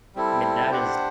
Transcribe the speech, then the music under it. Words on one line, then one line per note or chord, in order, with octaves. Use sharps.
I mean, that is
G3 C4 E4 A4
D4 G4 C5 F#5